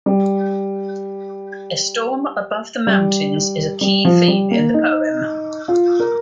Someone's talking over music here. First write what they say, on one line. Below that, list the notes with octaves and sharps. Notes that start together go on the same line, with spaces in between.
A storm above the mountains is a key theme in the poem.
G3
G3
G3
F3
G3
A#3
D#4
F4
A#4